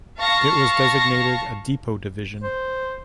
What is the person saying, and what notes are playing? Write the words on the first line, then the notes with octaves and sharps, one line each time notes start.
It was designated a depot division.
F5 A5 C#6 A#6
C5